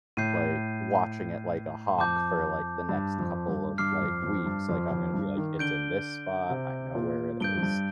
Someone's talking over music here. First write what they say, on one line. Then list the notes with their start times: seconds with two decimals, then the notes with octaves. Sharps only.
like, watching it like a hawk for, like, the next couple of, like, weeks, like, I'm gonna be like, "It's in this spot. I know where it is."
0.17 A2 G6 C7 D#7
1.98 F2 A5 D6 G6
2.89 G2
3.19 F2
3.48 G2
3.78 G2 D6 F6 C7
4.01 F2
4.24 F2
4.46 G2
4.69 F2
4.91 F2
5.14 G2
5.37 D#3
5.59 D3 G6 D7 G7
6.49 C3
6.95 A#2
7.40 G2 G6 D7 G7
7.55 F2
7.63 G2